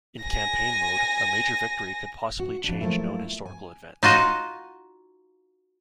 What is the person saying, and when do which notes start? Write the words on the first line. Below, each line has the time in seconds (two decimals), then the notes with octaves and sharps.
In Campaign Mode, a major victory could possibly change known historical events.
0.23 G#5 A#6
2.39 F#4
2.64 F2 D4
2.80 F3 F#3 A3 A#3 E4 F4
3.45 G#5
4.03 D#4 F4 F#4 D#5